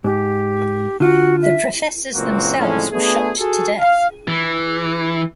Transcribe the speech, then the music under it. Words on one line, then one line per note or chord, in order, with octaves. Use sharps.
The professors themselves were shot to death.
G#2 G4
D3 F4 F#4
E5
F#1 C#2 A#2 A#3 C4 F#4
F2 A2 D3 G#3 C#4
A3 B3 D4 G#4
F#4 G#4 A4
F5
E3